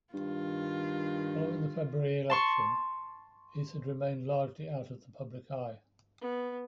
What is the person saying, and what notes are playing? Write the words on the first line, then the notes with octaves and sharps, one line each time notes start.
Following the February election Heath had remained largely out of the public eye.
G2 D#3 F4
A5 C6 C#6
B3